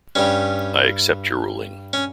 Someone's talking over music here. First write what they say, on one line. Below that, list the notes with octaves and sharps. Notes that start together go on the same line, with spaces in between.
I accept your ruling.
G2 G3 C#4
C#4